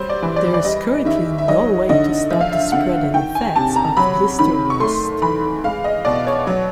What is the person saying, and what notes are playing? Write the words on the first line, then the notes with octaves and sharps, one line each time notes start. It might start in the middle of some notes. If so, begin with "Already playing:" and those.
There is currently no way to stop the spread and effects of blister rust.
Already playing: F#3 G3 C5
D5
E3
D5
D5
G3 D#5
D#3 E5
E5
F#3 D#5
D3 D#5
F3 E5
F5
E5
D3 F#5
D#3 G5
G#5
C3 A5
A#5
F#3 B5
D#3 B5
C#6
A3 C6
E3 B5
G#3 F5
D#5
B2 D5
C#5
F#3